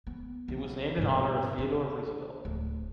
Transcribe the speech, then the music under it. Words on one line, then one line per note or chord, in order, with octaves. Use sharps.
It was named in honor of Theodore Roosevelt.
B3
B1
G2 B2
D4
D1